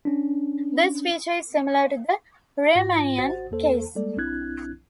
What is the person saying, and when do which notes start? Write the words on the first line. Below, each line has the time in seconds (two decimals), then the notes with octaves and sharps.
This feature is similar to the Riemannian case.
0.05 C#4 D4
2.75 G#2 F4 A#6
3.18 G#1 F#4 C5 F#5 A6
3.51 E2 A#3 A4 C5
3.95 G3 G#3 A#3 A4 D5
4.17 B1 C4 D4 E4 F#6 G#6